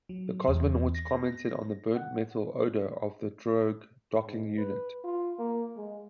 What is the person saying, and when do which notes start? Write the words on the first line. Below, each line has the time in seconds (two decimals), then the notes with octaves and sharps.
The cosmonauts commented on the burnt-metal odor of the drogue docking unit.
0.09 F#3
0.48 E2
0.95 A#6
1.96 F#5
4.25 G#2
4.58 B4
5.04 F4
5.38 A#3
5.76 G#3